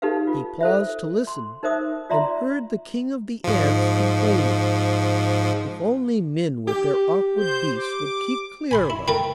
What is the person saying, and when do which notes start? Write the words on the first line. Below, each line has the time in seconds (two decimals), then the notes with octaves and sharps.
He paused to listen, and heard the King of the Ants complaining: 'If only men with their awkward beasts would keep clear of us!
0.02 D#4 G4 A4 B4 F5
0.27 F4
0.61 A4 C5 E5
1.27 C6
1.63 D#4 A#4 C5 E5 D#6
2.10 F4 D5 E5 A#5 C6
3.44 G#2 F3
6.67 G4
7.37 C5 G6
7.75 D6
8.71 G#5 B5 C6
8.90 E4
9.08 A3 A#4 B4 G5